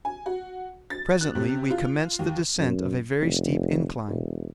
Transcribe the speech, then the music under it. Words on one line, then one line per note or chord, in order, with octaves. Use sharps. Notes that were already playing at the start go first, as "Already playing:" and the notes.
Presently we commenced the descent of a very steep incline.
G#5
F#4
A6
F#6
C3
F4
D#2
F#2
F1
E1